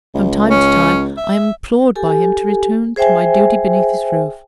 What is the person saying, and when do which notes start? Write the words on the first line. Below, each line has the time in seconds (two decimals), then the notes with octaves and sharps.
From time to time I am implored by him to return to my duty beneath his roof.
0.14 C#2
0.50 C#4
1.17 E5
1.96 G4 A4 G#5
2.96 G#4 C5 E5 G5 G#5